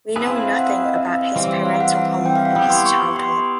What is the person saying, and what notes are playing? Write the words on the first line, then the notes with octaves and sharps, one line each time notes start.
We know nothing about his parental home and his childhood.
C4 E4 G#4 B4 A5
F5
F5
F#5
F5
F5
D#5
E5
F5
E3 G3 C4
F5
F#5
F#5
G5
F5
F#5
B3 E4 G4 G5
C6
C#6
C6